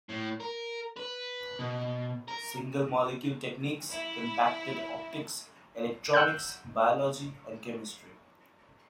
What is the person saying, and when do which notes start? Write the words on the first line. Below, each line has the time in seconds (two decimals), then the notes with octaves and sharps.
Single-molecule techniques impacted optics, electronics, biology, and chemistry.
0.09 A2
0.40 A#4
0.96 B4
1.59 B2
2.28 A#4
3.90 E4
6.13 F#5 E6 F#6 G6